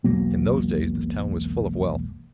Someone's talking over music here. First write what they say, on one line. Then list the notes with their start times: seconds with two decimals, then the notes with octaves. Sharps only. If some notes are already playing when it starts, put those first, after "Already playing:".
In those days this town was full of wealth.
0.04 E1 B1 F#3 A#3